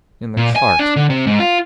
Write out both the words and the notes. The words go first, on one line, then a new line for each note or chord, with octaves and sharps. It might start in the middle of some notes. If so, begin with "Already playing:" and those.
In the cart.
A#2
G#5
D4
D3
C3
G#2
F4